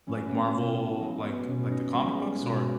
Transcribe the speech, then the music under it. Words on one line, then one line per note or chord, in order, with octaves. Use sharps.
like, Marvel, like like the comic books or?
F#3 C#4
B3
C#4
B2
F4
F#3 D#4
B3
B2 C#4
D#4
G#3 F4
F4
B2 F#4